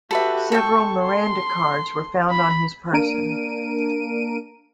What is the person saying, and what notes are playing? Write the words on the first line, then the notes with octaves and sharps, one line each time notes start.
Several Miranda cards were found on his person.
F#4 G4 A4 B4 E5
A4 G5 C#6
C6
B5
A#3 D4 A#4 D7 D#7